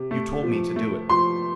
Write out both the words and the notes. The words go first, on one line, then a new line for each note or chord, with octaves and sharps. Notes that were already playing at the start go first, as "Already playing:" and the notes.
"You told me to do it."
Already playing: C3
A3
F3
A3
F3 C6